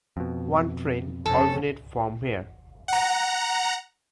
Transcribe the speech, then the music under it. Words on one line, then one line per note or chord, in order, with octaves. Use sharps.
One train originate from here.
F2 B2
F1 C4 C#4 A4 A5
F#5 A#5